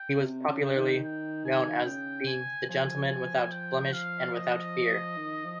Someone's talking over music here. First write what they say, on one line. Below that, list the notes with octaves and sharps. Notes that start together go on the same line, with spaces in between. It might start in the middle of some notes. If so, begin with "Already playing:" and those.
He was popularly known as being "The gentleman without blemish and without fear".
Already playing: G5
C#3
C3
C#3
G5
D#3
G5
G#5
C#3 G5
G#5
F3 G#5
G5
F5
D#5
D#3
F3